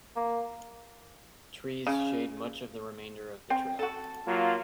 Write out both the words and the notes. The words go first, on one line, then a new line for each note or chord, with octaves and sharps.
Trees shade much of the remainder of the trail.
A#3
C#3
C4
F#4 A4
F#3 A#3 F4